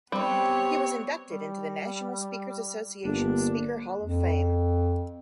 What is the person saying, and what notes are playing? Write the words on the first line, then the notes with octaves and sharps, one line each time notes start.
He was inducted into the National Speakers Association Speaker Hall of Fame.
G3 B3 C4 C#5
G3
G1 A#3 D4
F2